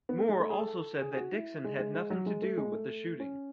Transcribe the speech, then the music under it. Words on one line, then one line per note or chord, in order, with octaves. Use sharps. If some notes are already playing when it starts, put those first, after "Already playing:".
Moore also said that Dixon had nothing to do with the shooting.
B3
A3
G#3
A3
G#4
A4
G#4
G#4
F#4
E4
G#3
G#3
G#3
F#3
G#3
A3
G#3
A3
C#4